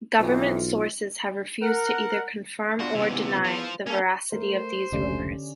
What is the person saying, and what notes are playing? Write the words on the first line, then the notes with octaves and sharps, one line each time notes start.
Government sources have refused to either confirm or deny the veracity of these rumours.
B1 F2 E3 F4
A#4 F#5
B2 D4 F4 F#4
C#2 C3 E3 B3
F4 C5
A#3 C#4 A4
A3 A#4 C5
F1 C#2 D3 A3 C#4 G4 D5